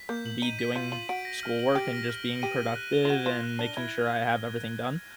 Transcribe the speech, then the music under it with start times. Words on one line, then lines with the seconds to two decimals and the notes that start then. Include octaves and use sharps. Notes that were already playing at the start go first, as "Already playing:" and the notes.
be doing schoolwork and just being productive and making sure I have everything done.
Already playing: B6
0.09 A#3 G6
0.26 F#7
0.42 D#4 D#7
0.59 B6
0.75 F4 G6
0.92 F4 F#7
1.09 F#4 D7
1.25 A#6
1.43 F6
1.59 F#7
1.75 G4 D7
1.93 A#6
2.10 F6
2.25 F#7
2.42 G4 D#7
2.60 A#6
2.75 F#6
2.93 G7
3.05 F4
3.09 F#4 D#7
3.26 F4 A#6
3.43 F#6
3.59 D4 G7
3.76 E4 G#6